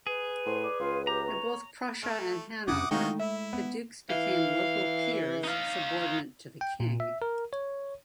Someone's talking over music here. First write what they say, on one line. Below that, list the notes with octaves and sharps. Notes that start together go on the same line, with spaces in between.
In both Prussia and Hanover, the dukes became local peers subordinate to the king.
G#4 B4
A2 C5
D5
C#2 F4
G4 A#5
C#5
A3 F6
F2 C3 G3 C#4 D4 F#5 D6 D#6
D#3 G#3 A3 D#4 F4 F#4 D#5 G5
E4 E5
B3
E3 F5
D#4 F5
G5
A#2
E5
A#4
C#5